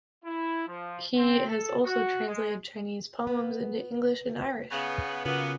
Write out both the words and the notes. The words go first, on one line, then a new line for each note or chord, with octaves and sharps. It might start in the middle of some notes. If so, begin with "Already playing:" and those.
He has also translated Chinese poems into English and Irish.
E4
F3
C4
A4
F#4
G#3
B3
C#3 B3
C#3 F#3 A#3 B3 F4